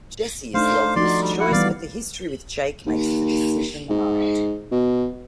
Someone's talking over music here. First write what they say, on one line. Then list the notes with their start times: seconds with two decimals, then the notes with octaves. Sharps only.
Jesse is the obvious choice, but the history with Jake makes the decision hard.
0.54 A3 D4 D#4 C5 F5
0.96 F3 D#4 F#4 D5 C6
1.21 G3
1.39 E4 F#4 F#5
1.52 E3 G3 B3 D5 F5
2.86 D#2
3.89 G#2
4.72 B2